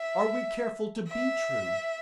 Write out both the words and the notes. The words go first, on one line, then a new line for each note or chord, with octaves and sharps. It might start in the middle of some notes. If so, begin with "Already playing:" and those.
Are we careful to be true?
Already playing: E5
E5